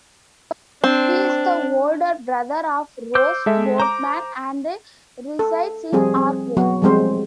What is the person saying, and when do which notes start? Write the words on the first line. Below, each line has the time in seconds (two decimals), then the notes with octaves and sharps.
He is the older brother of Ross Boatman, and resides in Archway.
0.84 C4 D4
3.15 C5 D6 E6 G6
3.46 G#3 A4 E5
3.80 C5 A#5 D6
5.39 A4
5.93 F3 G3 C4 G#4
6.17 C4
6.57 F#3 B3 F#4
6.82 F3 G3 G#3 C4 C5